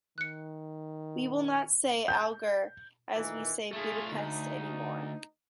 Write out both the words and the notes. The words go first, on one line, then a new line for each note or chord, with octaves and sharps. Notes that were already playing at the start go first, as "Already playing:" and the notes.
We will not say Alger as we say Budapest anymore.
D#3 F#6 C#7
G6
A#2 D#3 E3
A3 F4 G#4
D2 D#4